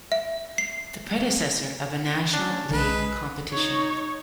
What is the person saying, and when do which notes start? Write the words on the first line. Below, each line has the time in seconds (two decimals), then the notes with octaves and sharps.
The predecessor of a national league competition.
0.12 E5
0.58 C7
2.33 C#4 D4
2.73 B1 G#3 B4
3.52 D#4 C#5